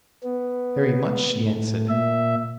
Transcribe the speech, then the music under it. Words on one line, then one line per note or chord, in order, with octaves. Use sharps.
"Very much," she answered.
B3
A2
A#2 E5